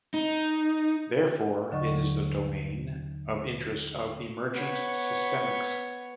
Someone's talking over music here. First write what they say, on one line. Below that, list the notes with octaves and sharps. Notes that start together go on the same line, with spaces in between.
Therefore, it is the domain of interest of emergent systemics.
D#4
D#2 D3 F#3 D#5 C#6
B3 C#5